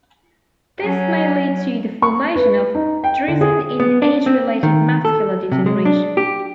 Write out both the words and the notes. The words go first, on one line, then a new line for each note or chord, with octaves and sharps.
This may lead to the formation of drusen in age-related macular degeneration.
F#3 C#4
C#6
B4
D#4
G5
D3
G#4
B3
D4
C4
D#3
A4
C3
G#3
D4
G4